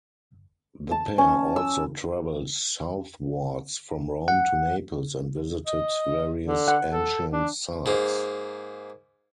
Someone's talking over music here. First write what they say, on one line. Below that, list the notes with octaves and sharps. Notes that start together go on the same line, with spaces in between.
The pair also travelled southwards from Rome to Naples and visited various ancient sites.
A5
C#4
E6
F#5
D#5
D3
F#5
A4
D4
G#2 A#3